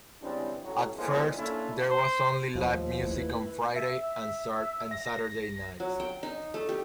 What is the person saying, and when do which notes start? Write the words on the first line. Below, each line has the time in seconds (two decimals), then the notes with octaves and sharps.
At first there was only live music on Friday and Saturday nights.
0.21 C#3 E3 G3 G#3 C4 D4
0.64 A1 F#3
0.97 B1 E2 A#2 F3 G#3
1.37 A#3 C#4 D4 E4 F4 A4
1.91 C5
2.55 D#2 F3
3.03 A3 B3 E4 B4
3.76 E5
4.91 A#6
5.80 F#3
6.00 G5
6.23 D#4
6.54 A3
6.69 G4